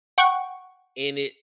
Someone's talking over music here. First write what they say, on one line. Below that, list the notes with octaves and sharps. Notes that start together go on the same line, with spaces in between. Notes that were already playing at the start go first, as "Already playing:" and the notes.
in it
F#5 G5 C#6